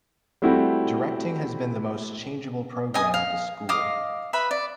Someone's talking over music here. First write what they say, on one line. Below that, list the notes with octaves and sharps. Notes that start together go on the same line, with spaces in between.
Directing has been the most changeable program at the school.
G3 A3 C4 E4 F#4 G4
D#5 G#5 D#6
F5
D#5 F5 D6 D#6
B4 E5 B5
D5